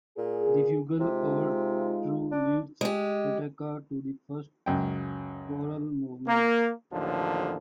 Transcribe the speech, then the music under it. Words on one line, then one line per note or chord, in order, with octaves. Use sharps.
The fugal overture leads attacca to the first choral movement.
A#2 G#4
C3 G#3 D#4 F4
D4
G#3 G4
C#2 F#2 G5
A#3
A1 D#2 D3 F3